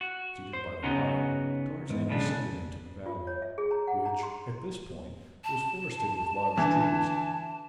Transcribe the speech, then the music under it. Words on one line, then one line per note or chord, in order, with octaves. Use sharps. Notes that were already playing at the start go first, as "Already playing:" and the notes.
Preceded by the lion Tarzan descended into the valley, which, at this point, was forested with large trees.
F#4
C5
C#3 B3 C#4 D#4 F#4
E2 G#2
B1 A2 C#3 D4
F4
C#5
E5
G#4
A#5
F#5
A#5
C6
A5
D3 E3